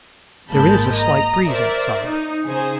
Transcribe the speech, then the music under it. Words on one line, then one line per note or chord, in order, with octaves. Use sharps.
There is a slight breeze outside.
G#1 G#3 A#3 A5 B5 G6
D#5 A#5
A#4 C5 D5 E5
D#4
C#3 D#4 G#4 C5